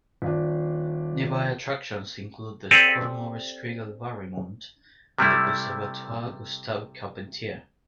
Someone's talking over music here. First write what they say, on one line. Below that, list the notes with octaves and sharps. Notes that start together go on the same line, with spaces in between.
Nearby attractions include the Square Maurice Kriegel-Valrimont and the Conservatoire Gustave Charpentier.
D#1 D4
C4 G4 A4 D5 G#5
C3 G3 A3 E4